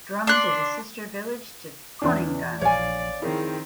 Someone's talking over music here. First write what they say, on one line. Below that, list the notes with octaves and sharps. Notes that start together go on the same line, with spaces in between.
Drums is a sister village to Conyngham.
D4 C6 D6 F#6 C7
E2 E3 C#4 D4
A#1 C#5 D5 F5 G#5
D#3 C4 E4 G#4 A#4